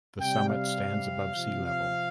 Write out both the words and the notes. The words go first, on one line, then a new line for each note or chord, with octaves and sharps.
The summit stands above sea level.
C3 G3 G5
F5
C3 F3
F5